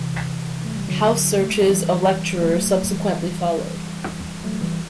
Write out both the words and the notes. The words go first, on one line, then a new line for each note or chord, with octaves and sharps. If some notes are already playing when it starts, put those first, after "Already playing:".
House searches of lecturers subsequently followed.
Already playing: C3 E3
A3
G3
D3 F#3
A3
G3
F#3
E3 G3
F#3 A3
E3 G3
F#3 A3
E3 G3